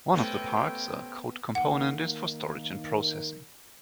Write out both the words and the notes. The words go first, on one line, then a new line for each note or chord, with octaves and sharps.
One of the parts, a code component, is for storage and processing.
C3 A3 B3 C#4 G5
D#3 A#3 F#5